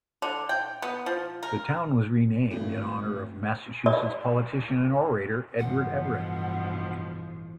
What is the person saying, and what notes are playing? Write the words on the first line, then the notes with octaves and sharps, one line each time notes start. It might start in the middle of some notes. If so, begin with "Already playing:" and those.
The town was renamed in honor of Massachusetts politician and orator Edward Everett.
D3
G5
B3
F3
A#4
G#1 A2
D5
A1 G2 B2 E3 F3 F#5 D6